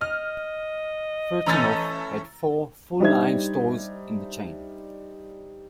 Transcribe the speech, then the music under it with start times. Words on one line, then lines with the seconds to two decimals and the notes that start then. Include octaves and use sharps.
Fortunoff had four full-line stores in the chain.
0.01 D#5 F6
1.46 E3 A3 C#4 A#5 E6 A6
3.00 G3 D4 D#4 C5 E5 G#6